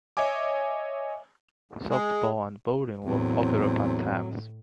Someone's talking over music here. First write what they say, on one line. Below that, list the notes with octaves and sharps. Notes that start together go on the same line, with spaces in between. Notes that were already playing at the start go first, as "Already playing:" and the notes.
Softball and bowling were popular pastimes.
C#5 D#5 E5 G#5 D6
G#3
E2 A2 F#3 C4